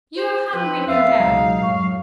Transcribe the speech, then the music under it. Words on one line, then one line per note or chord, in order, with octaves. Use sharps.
You are hungry, no doubt.
C5
F3 C4 B4
F2 E5 F5
C#2 B2 F#3 G#3 D#4
F#2 A2 C#6